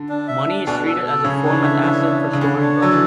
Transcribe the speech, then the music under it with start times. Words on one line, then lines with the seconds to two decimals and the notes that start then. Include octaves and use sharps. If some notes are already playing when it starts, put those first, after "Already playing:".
Money is treated as a form of asset for storing wealth.
Already playing: D3
0.09 D4
0.28 E5
0.48 D4
0.66 B2 D4
0.86 A4
1.06 A4
1.24 C#3 C#5
1.44 E3 D4
1.54 D3
1.64 E5
1.83 E3 C#5
2.02 D4
2.22 D4
2.33 C#3
2.41 D3 C#5
2.61 D4
2.81 F#3 A4
2.92 E3